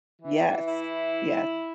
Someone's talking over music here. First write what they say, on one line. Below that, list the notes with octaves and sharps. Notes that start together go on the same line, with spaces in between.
Yes, ye
E3
E4